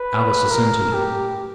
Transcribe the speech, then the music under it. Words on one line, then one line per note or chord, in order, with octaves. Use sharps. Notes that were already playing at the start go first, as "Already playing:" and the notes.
Alice assented.
Already playing: B4
A#4
G4